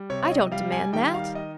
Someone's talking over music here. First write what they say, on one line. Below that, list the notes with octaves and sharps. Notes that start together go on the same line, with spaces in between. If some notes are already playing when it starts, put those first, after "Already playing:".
I don't demand that.
Already playing: G3
C3 C#5
C#5
D#5
G3 F5
G#5
D#3 G5
F5
D#5